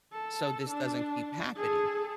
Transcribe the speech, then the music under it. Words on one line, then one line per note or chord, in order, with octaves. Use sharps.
so this doesn't keep happening,
A4
D4
G#4 A4